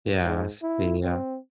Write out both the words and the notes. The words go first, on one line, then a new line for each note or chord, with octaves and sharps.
Yes, the, uh
G#2
E4
C4